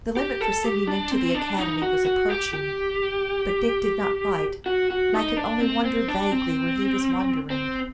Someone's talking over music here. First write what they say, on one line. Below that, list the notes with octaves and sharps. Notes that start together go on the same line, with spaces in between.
The limit for sending in to the Academy was approaching; but Dick did not write, and I could only wonder vaguely where he was wandering.
G4
A4
G4
D4
C4
D4
D#4
F#4
F#4
G4
G4
F#4
F#4
D#4
D4
C4
C4
D4
C4
C4